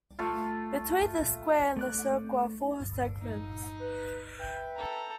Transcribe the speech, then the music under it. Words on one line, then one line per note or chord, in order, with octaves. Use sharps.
Between the square and the circle are four segments.
A3 F4
A3 D5 F#6
D#4
B4
B4 E5 G5
A4 A#5